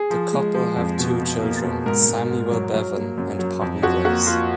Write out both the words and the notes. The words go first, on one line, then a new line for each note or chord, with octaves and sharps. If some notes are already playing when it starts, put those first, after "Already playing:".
The couple have two children, Samuel Bevan and Poppy Grace.
Already playing: G#4
F3
G#3
F3
F2
B2
B2
A#3
B2
G#2 A#4
G#2
G#2
F#3
F#3
A#3
F#2
F#3
F2
F2 F#4
A#3 F#4
A#3 F4